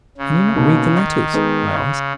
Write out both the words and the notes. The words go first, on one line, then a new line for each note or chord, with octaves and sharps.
"Can you not read the letters?" I asked.
C#3
B2 A#3 D#4
D#3
G#3 B3 D#4 G#4
C#3